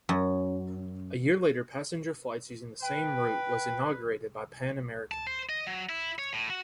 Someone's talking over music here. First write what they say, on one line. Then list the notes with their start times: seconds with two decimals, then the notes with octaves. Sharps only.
A year later passenger flights using the same route was inaugurated by Pan American.
0.09 F#2
2.82 B4 G5
5.12 A5
5.27 C5
5.49 D#5
5.67 F#3
5.89 E4
6.19 C#5
6.33 A2
6.50 F#4